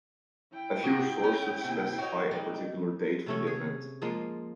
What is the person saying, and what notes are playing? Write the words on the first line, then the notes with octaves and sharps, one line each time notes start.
A few sources specify a particular date for the event.
E4 G5
G#2 F#4 G#4
C#4
D#2 C3
F#4 C#5 D#5
G3 G#3 D#4
C3 A3 C#4
G#4
F3 G#3 A#3 F4